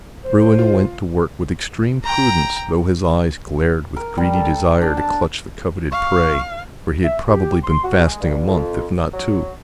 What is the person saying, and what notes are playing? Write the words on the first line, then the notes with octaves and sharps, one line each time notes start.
Bruin went to work with extreme prudence, though his eyes glared with greedy desire to clutch the coveted prey, for he had probably been fasting a month, if not two.
C5
F4
G5 A#5
A#4
G3
A4
D4
A5
F5 C#6
E5
G4
C6
F#4
G#3
G2
F2
F#3